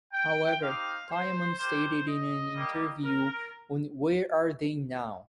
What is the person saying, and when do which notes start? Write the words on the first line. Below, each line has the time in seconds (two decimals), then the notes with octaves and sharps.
However, Diamond stated in an interview on Where Are They Now?
0.13 G5
0.61 C4 D#4 G4 F5
1.10 C5
1.58 A#3 G4 C5
2.07 D#5
2.56 G3 A#3 G4
3.04 A#4